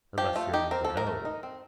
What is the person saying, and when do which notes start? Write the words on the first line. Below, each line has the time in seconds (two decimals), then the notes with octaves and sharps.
Unless you're in the know.
0.18 F3 G4
0.36 A3 F4
0.54 D#4 G4
0.71 C4 A#4
0.85 A4
0.90 F3
0.97 A#4
1.07 A3
1.25 D#4
1.43 C4